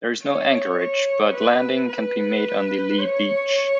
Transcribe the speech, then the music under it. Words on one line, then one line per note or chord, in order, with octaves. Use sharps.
There is no anchorage, but landing can be made on the lee beach.
C#5
C#5
B4
B4
C#5